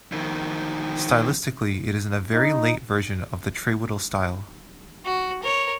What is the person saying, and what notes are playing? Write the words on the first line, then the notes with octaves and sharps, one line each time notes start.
Stylistically it is "in a very late version of the Trewhiddle style".
F2 D#3
D#4
F#4
A#4 C#5